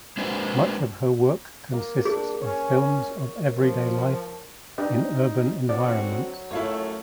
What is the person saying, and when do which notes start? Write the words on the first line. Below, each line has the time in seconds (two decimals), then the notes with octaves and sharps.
Much of her work consists of films of everyday life in urban environments.
0.17 G#3 A#3 D4 F#4 B4 C5
1.73 A#3
2.05 D4 G#4
2.41 C#4 C#5
3.54 F3
3.93 A5
4.78 D4 D#4 G4 B4
5.69 D3 F#3 C4 F#4 D5
6.51 F#2 A2 A3 E4 F4 C#5